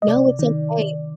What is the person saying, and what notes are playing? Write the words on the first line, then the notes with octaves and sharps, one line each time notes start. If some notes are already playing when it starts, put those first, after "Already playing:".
No, it's okay.
D#5
C3 D5
D#3